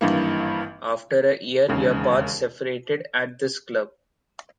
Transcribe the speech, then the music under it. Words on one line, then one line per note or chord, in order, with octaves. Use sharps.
After a year, your paths separated at this club.
G#1 G2 E3 A#3
E1 D#2 C#3 G#3